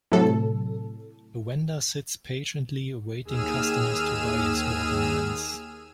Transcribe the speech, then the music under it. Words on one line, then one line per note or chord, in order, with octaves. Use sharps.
A vendor sits patiently awaiting customers to buy his watermelons.
A2 C3 F#3 A4
D#2 G#4 E6 F6 D#7